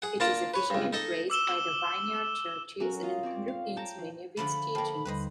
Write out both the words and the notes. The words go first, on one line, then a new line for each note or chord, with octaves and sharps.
It is officially embraced by the Vineyard Churches, and underpins many of its teachings.
G#4 F#5
A#3 D4 F4 D5 A5 A#5
B4 C#5
C#2 G2
D#4 A4 D#5
D6 E6 E7 G7
F#3 C#4 F#4 A#4
F4 D#5 A#5
C4 C#5 D5
F5
C#5 G5 A5 A#5
F3
D3 F3 A3 B5
F3 A#3 A4 G5 A5
D#2 D3 G3 B4 C5 D#5